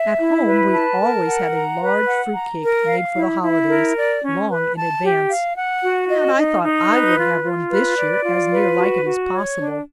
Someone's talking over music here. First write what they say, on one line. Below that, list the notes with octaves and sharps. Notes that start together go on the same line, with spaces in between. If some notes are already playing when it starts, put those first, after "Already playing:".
At home we always had a large fruit cake made for the holidays, long in advance, and I thought I would have one this year as near like it as possible.
Already playing: E5
E4
B4
A5
A#4
F#5
A#5
B4
F#5
A#5
A#4
F5
E4
E4
A#4
D5
C#4
B4
A5
G4
F5
F#5
F#4
D#5
D#4
D#4
B4
F4
F4
B4
D5
F4
B4
F#4
F#4
C#5
D4